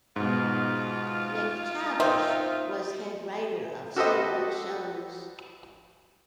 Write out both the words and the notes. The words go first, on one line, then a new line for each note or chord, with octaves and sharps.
McTavish was head writer of several shows.
G#2 B2 F4
A#3 C4 D#4 E5
F#4 G4 A4 B4 C5 D#5